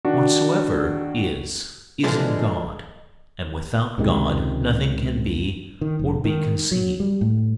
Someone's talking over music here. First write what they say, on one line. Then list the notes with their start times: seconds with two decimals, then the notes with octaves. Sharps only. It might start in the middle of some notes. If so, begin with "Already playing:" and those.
Whatsoever is, is in God, and without God nothing can be, or be conceived.
0.05 D#3 D4 F#4
2.04 D3 E3 F3 G#3 D4
3.98 C#2 C3 D#3 G#3
5.81 D#3
5.99 F1
6.25 D#3
6.71 F#3
7.00 G3
7.21 A2